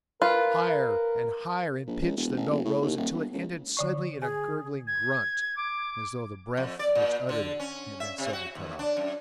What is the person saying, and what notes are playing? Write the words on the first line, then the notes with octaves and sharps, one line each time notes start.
Higher and higher in pitch the note rose until it ended suddenly in a gurgling grunt, as though the breath which uttered it had been suddenly cut off.
F4 A#4 B4
A#1
C#2
E1
A1
F#1
A2
D#2
D#1
G1
C#2
D3 D5 C#6
G#4 G#5
G#6
D6
F2
D5
A#2
D3
C#4
E5
C3
F#4
D#2
D4
F#2